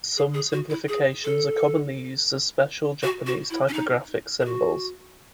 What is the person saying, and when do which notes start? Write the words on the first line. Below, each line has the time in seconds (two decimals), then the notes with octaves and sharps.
Some simplifications are commonly used as special Japanese typographic symbols.
0.17 G#4
0.34 G#4
0.52 F#4
0.70 E4
0.88 G#4
1.24 A4
3.03 F#4
3.27 F#4
3.50 E4
3.69 C#4
3.73 D#4
4.41 G#4
4.45 F#4